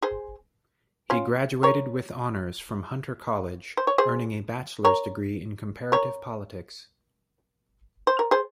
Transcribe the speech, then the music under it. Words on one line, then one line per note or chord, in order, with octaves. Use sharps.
He graduated with honors from Hunter College, earning a bachelor's degree in comparative politics.
G#4 C5
C#4 F4
A#4 C#5
C5
C#5
G#4 C5
A#4 C#5
A#4 C#5
C5
A#4
G#4 C5